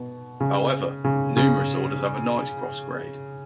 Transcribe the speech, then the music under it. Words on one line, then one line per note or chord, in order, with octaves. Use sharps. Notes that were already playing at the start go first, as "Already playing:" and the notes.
However, numerous orders have a Knight's Cross grade.
Already playing: B2
C#3
C#3
C#3